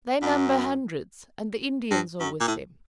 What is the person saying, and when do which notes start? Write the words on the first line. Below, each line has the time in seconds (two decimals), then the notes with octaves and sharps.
"They number hundreds, and the Indians are with them."
0.22 F#2
1.91 G2
2.20 F#2
2.40 A#2
2.48 A2